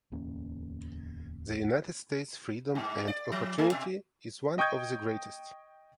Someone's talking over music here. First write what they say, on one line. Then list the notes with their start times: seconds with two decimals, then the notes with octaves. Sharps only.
The United States freedom and opportunity is one of the greatest.
0.12 D1 E2 A#3 C#4
2.75 G2
3.08 D5
3.32 F3
3.58 G#3
3.72 B2
4.58 D#5 G5 C#6 D#6 G6 G#6